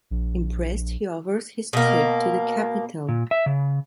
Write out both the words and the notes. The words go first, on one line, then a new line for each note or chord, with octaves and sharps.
Impressed, he offers his trip to the capital.
A#1
B2 A#3
A#2
E5
C#3